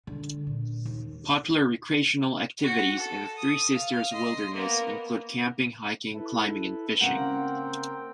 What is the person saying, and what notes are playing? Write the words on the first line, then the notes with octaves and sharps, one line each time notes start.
Popular recreational activities in the Three Sisters Wilderness include camping, hiking, climbing and fishing.
D3
A#2
D#2
F#4 F#5
A4
D#6
F5
D#5 C6
A#3 B3
E4 A4 B4
C#3 A#3 C4 A#4 F#5 G5